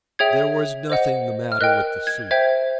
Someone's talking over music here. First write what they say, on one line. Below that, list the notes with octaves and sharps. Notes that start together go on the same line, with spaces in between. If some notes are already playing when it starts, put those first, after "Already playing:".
There was nothing the matter with the soup.
G#4 C#5 E5 G5 G#6
C5 D#5 F#5
F6
A#4 D#5 G5 F#6
G#6
C5 E5 G5 G#6